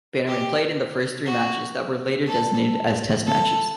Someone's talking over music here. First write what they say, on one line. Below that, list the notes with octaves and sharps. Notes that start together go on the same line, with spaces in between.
Bannerman played in the first three matches that were later designated as Test matches.
G4
F#4
A4
A4